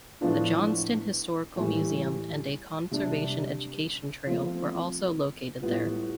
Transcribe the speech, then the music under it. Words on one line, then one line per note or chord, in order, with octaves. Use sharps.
The Johnston Historical Museum and a conservation education trail were also located there.
A2 F3 B3 D4 F4
A2 E3 G3
C3 G3 D4
F3 A3 C4
A2 G3 B3 F4